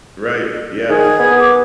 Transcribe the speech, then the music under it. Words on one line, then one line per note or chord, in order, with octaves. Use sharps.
Right, yeah.
D#3 G#4
B3
D6